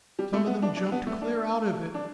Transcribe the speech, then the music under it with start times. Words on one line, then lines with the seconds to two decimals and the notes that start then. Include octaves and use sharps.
Some of them jumped clear out of it.
0.19 G3
0.33 A3
0.47 B3
0.62 D4
0.76 D4
0.92 B3
1.07 A3
1.21 D4
1.94 D4